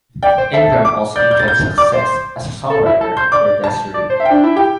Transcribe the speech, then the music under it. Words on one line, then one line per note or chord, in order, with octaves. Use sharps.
Ingram also enjoyed success as a songwriter for Des'ree.
D5 G5
C5
A4 E5
D6
D5 G6
G6
A6
G6
D5 D6
C5
A4
E4
A4
C5 G6
D5 D6
A5
D5
C5
E5
D4 G5
E4
G4 G5